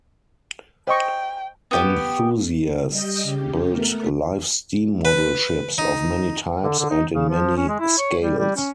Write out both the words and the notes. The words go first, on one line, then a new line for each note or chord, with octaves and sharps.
Enthusiasts build live steam model ships of many types and in many scales.
C5 D#5 G5 C#6
B3 G4
G3 D#5 G6
C#3 G4
A3 B3 A#4
B4
D#4
D3
D3
D#4
C#3
F3
C#4
G#3
E4
C#5
G3
G3
C#4